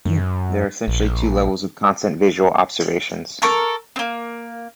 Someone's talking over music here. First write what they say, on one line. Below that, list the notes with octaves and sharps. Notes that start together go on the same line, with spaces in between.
There are essentially two levels of constant visual observations.
F#2
A#1
A4 A#4 C#6 D6
A#3 C4